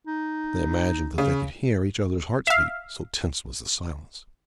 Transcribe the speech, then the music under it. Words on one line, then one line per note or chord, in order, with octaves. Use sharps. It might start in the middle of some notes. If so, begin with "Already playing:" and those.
They imagined that they could hear each other's hearts beat, so tense was the silence.
D#4
C#3
E5 F5